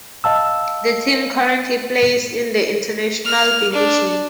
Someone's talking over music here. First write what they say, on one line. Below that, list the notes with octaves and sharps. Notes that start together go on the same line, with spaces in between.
The team currently plays in the International Division.
D#5 F5 A5 E6
F6
D4